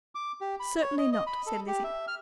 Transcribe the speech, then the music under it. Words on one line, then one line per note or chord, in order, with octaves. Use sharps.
"Certainly not," said Lizzie.
D6
G4
B5
C#5
D#5
D#5
B5
A4
G4
E5
F6